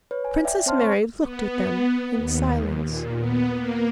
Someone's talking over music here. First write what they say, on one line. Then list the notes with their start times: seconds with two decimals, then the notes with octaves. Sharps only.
Princess Mary looked at them in silence.
0.11 B4 C#5
0.25 G#5
0.44 D5 E5 G5
0.66 C4 C5 C#5 A5 C6 F6
0.82 C#6
1.20 B3
2.15 D#2
2.85 A#2
3.18 B3
3.55 A#3